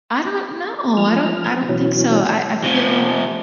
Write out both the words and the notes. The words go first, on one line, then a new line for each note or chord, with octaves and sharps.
I don't know, I don't I don't think so. I I feel
F3 F6
B2 E3 F#3 C#4
C3 F3